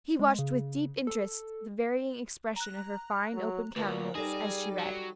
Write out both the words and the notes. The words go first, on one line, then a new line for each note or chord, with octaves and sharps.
He watched with deep interest the varying expression of her fine open countenance as she read.
G#3
C#3
A4
A#5 F#6
F#3
D2 A#2 A#4 B4
G3 D#4 G#4 A4 D5
F#3